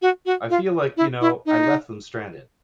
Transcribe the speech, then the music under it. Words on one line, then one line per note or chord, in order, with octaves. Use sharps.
I feel like, you know, I left them stranded.
F#4
F#4
F4
E4
E4
D#4